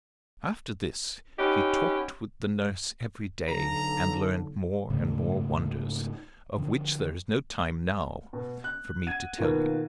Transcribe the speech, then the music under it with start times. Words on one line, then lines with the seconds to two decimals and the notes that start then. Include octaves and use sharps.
After this he talked with the nurse every day, and learned more and more wonders, of which there is no time now for me to tell you.
1.39 B3 C#4 D#4 G4
3.49 B1 D3 A#5
4.90 G#2 C#3 G#3 A3
6.58 D3 F3
8.33 B2
8.64 F#6
9.07 F#5 G#6 D#7
9.38 B2 D#3 A#3 F4